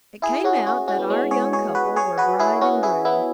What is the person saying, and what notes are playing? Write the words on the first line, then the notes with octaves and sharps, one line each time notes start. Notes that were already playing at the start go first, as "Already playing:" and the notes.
It came out that our young couple were bride and groom.
E4 G#4
C#4 F#4
C#4 F#4
C#4 F#4
B3
G#3 C#4
G#4 C#5
G#4 C#5
F#4 B4
G#4 C#5
F#4 B4
E4 G#4
C#4 F#4
E4 G#4
B3 E4